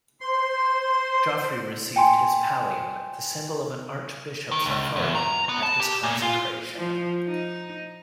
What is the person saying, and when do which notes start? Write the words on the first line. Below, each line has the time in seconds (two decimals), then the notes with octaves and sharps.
Geoffrey received his pallium, the symbol of an archbishop's authority, at his consecration.
0.21 C5 C6
1.96 G5 G#5 C6
4.51 D#3
4.66 C#2
4.96 E2
5.15 A#5
5.49 B3
5.63 A5
5.80 G4
6.03 A#2
6.22 F4
6.76 F3
7.28 D#4